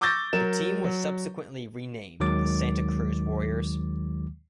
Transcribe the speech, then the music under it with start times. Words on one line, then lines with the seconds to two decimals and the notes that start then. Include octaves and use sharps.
The team was subsequently renamed the Santa Cruz Warriors.
0.01 C#6 D6 E6 G6 A6 A#6
0.33 F#3 A#4 E7
0.84 F#3
2.20 D#2 D#3 F#3 G#3 D6 A6